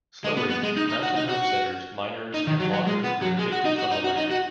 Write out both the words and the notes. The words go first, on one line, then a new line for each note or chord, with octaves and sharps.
Slowly, mountain homesteaders, miners, and loggers were evicted from the land.
G#3
B3
B3
G#3
D#4
D#4
F#4
D#4
F#4
D#4
D#3
F#3
F#3
G#3
B3
F#3
G#3
F#4
D#4
F#4
D#4
F#4
D#4
F#4